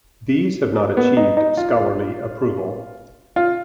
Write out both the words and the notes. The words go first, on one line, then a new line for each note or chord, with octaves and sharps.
These have not achieved scholarly approval.
B3
D#4
D#4
F4
F4
F4